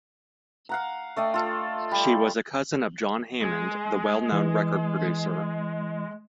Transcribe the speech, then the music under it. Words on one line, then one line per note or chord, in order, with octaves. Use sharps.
She was a cousin of John Hammond, the well-known record producer.
F5 F#5 A#5
A3 D5 D#5 G5
F4 A4
G3
G#3
E3